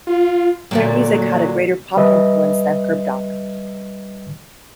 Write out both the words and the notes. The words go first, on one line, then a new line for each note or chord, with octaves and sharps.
Their music had a greater pop influence than Kerbdog.
F4
A#2 D3 F#3 A3
G3 B4 D#5 E5